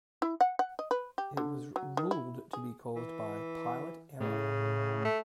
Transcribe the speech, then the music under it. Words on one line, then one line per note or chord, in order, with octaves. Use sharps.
It was ruled to be caused by "pilot error".
E4
F#5
F#5
D#5
B4
G4
D3
F#3
D#3
E4
G#4
E3
A2 C#3
A3